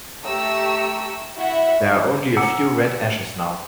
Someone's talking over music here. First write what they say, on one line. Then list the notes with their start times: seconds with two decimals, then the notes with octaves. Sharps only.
There are only a few red ashes now.
0.24 A3 G4 A#5 C#6 E6
1.37 E4 F#4 E5 F#5
2.37 F#5 G#5 A#5 D6 E6 C#7